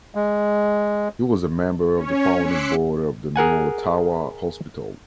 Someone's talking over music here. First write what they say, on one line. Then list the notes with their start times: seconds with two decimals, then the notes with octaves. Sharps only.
He was a member of the Founding Board of the New Ottawa Hospital.
0.15 G#3
1.96 C#4 C#5
2.43 C6 D6 E6 F#6 B6 C#7
3.36 G#4 A#4 F#5 G#5